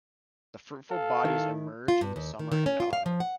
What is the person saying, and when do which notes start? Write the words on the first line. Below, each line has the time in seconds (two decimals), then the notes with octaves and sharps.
The fruitful bodies emerge in the summer and autumn.
0.91 A4 F5
1.25 D#3 E4
1.88 F4
2.01 G2
2.16 D#2
2.39 D#3
2.52 D#3
2.66 C#4
2.80 F4
2.93 F5
3.06 F3
3.20 F#5